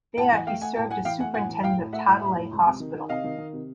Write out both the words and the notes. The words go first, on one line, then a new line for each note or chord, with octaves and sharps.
There, he served as Superintendent of Tadalay Hospital.
A2 G5 A5
E3 F#5 G#5
A3 F5 G5
A3 F#5 G#5
A2 G5 A5
A2 F#5 G#5
E3 F5 G5
A3 F#5 G#5
A2 F#5 G#5
E3
A2 F5 G5
A2
A3 E5 F#5
A2
A2
A2
C#2
C3
D#3
D#3
C3 D#5 F5
D#3
D#3
C3